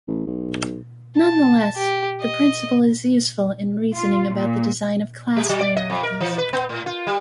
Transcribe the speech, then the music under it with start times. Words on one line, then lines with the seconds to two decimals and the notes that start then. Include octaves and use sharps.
Nonetheless, the principle is useful in reasoning about the design of class hierarchies.
0.08 A1
0.27 B1
1.17 A5
1.77 G4
2.22 D#5
3.94 F4
4.35 A#2
5.36 G3
5.49 F#3
5.61 D5
5.76 D#5
5.90 F2
6.03 A#4
6.20 E3
6.38 B4
6.53 B3
6.69 A2
6.86 F4
7.07 G3